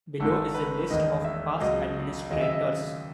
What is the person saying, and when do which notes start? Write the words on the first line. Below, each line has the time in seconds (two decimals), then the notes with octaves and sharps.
Below is a list of past administrators.
0.20 G#1 G#2 D#3 A4
0.54 B4
0.90 E1 D#2 D#3 D#5
1.25 E5
1.60 C#2 B2 F#3 D#5
2.30 D#2 C#3 F#3 D#5
2.41 E5
2.51 D#5